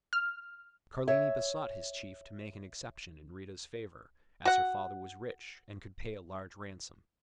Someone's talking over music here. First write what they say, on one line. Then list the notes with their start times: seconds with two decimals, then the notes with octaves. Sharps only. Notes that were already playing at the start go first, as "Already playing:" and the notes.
Carlini besought his chief to make an exception in Rita's favor, as her father was rich, and could pay a large ransom.
0.13 F6
1.08 C#5 E5
4.45 F#4 F#5